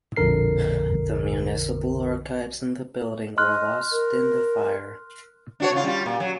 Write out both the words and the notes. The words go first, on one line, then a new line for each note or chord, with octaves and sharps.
The municipal archives in the building were lost in the fire.
A#1 F2 B2 D3 A#4 C7
D#5 C6 F6 F#6
A#4
D4 F#4 C#5
C#3 F4
G3 F4
A#2
F#3